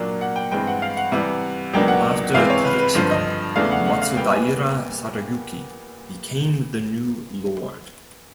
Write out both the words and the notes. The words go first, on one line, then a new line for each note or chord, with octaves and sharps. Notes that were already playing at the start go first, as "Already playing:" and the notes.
After Tadachika, Matsudaira Sadayuki became the new lord.
Already playing: A#2 F#3 A#3 D4
F#5
G5
G2 E3 G#3 C4 G5
F#5
F5
F#5
C3 E3 G3
C#2 B2 F#3 A#3 D4 G5
F#5
C3 E3 G#3 C4 F5
C#5
B4
B4
G2 D3 F3 C5
D#5
E2 C#3 E3 A3 D4 F5
F#5
F#5
F5
A#2 G3 B3 G5
G#5